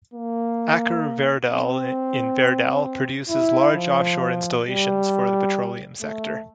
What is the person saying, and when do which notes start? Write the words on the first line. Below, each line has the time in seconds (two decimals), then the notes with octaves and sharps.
Aker Verdal in Verdal produces large offshore installations for the petroleum sector.
0.14 A#3
1.49 C4
3.29 E4
3.76 F3
4.65 G3
6.01 A3